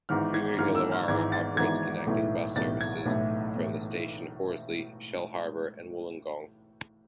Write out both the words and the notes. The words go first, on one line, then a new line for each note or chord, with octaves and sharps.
Premier Illawarra operates connecting bus services from the station to Horsley, Shellharbour and Wollongong.
G#1 G#2 E3 F6
G#6
G#1 G#2 E3 F6
E6
F6
G#1 G#2 E3 G#6
A6
G#1 G#2 E3 G#6
B1 A2 E3 A3
B1 A2 E3 A3 A6
G#6
B1 A2 E3 A3
A2 E3 A3